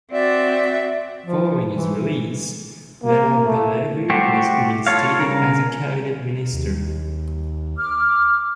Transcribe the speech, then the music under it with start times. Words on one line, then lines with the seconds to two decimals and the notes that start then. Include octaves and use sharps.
Following his release, Lalabalavu was reinstated as a Cabinet Minister.
0.11 C4 F#4 D5 E5
1.26 F3
1.73 E3
3.04 A#3
3.45 A3
4.10 A3 F#4 G4 C5
4.87 F4 A4 C#5 F5
5.20 C#3 A#4
6.53 D#2
7.77 D6 F6